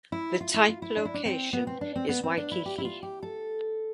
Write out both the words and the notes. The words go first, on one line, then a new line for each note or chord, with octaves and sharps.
The type location is Waikiki.
E4
F4
E4
F4
E4
D4
E4
D4
C4
B3
C4
D4
C4
B3
C4
D4
E4
G4
E4
F4
G4
A4